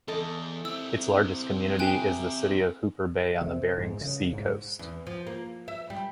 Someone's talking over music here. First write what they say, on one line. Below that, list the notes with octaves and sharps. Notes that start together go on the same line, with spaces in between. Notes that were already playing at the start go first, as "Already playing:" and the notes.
Its largest community is the city of Hooper Bay, on the Bering Sea coast.
E2 A4 D#5
C4 E4 E6
G5 G#5 F#6
C3
G#2
C#3
G#2
E2
F3
A#3
E5
G3